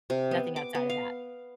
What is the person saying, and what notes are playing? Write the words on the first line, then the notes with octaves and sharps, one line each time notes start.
nothing outside of that.
C3
B3
D6
B3
F5